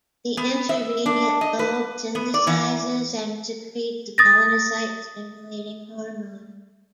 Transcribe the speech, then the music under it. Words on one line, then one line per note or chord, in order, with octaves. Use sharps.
The intermediate lobe synthesizes and secretes melanocyte-stimulating hormone.
B3
E5
D4
D#5
B4
B3
D5
E3
D#6 A6 A#6